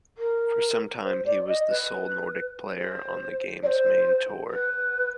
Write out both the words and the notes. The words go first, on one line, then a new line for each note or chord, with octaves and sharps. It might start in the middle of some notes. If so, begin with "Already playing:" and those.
For some time he was the sole Nordic player on the game's main tour.
A#4
C5
D5
D#5
B4
C5
D5
C5
B4